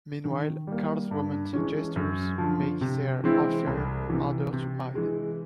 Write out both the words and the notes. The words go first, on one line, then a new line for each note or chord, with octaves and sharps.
Meanwhile, Karl's romantic gestures make their affair harder to hide.
D#3
G3 A#3
G2
E3 G#3 C#4
F#2
D3 F3
C3
E3 G#3 C4 E4
C2
C3 E3
C3
E3 G#3